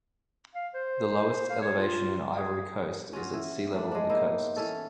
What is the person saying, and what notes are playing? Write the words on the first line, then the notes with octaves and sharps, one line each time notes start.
The lowest elevation in Ivory Coast is at sea level on the coasts.
F5
C5
F5
C#5
F4
G#4
C#4 F4 F#4 G#4
E3
A3 D4
G#3 D4
A#3 B3 D#4 E4
E3 C#4 A4